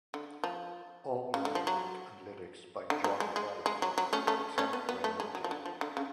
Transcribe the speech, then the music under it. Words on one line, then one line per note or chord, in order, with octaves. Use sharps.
All music and lyrics by Jon Brion except where noted.
D3
F3
C#3
D3
F3
F#3
D3
F#3
G#3
G#3
G#3
F#3
F#3
A3 C#4
A3 C#4
A3 C#4
B3
B3
A3
G#3
F#3
F3
D3
F3
D3
C#3